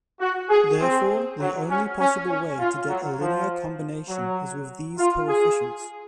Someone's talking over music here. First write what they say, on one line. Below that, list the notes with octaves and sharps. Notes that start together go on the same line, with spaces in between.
Therefore, the only possible way to get a linear combination is with these coefficients.
F#4
G#4
C4
F#3
C#4
C#4
C#4
F4
F#3
F3
F#3
F4
G#4